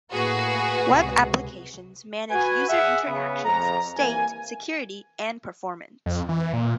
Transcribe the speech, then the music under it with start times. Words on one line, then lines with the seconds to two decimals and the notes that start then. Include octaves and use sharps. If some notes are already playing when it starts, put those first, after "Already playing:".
Web applications manage user interactions, state, security, and performance.
0.13 A2 A#3 F#4 G#4 B4
0.87 C#2 C3
2.30 F#4 B4 G#5
2.69 G#4 E5 F#5
3.07 C#3 B3
3.44 F2 A#5
3.97 C2 E3 A#3 G#5
6.06 F2
6.29 E3
6.53 A#2